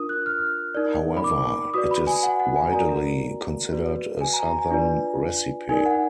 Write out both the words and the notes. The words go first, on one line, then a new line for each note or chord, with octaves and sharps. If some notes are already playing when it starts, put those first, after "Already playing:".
However, it is widely considered a Southern recipe.
Already playing: D4 F4 A#4 D#6
F#6
F6
D#4 A#4 D5
B5
D6
F#4 B4 D5 D#6
B5
G#5
F#5
F#5
G#5
F#4 A#4 D5 A#5
F#4 B4 D5
G#5
A#5
A#5
G#5
D4 F4 B4 D5
D#4 A#4 D5 G#5
F#5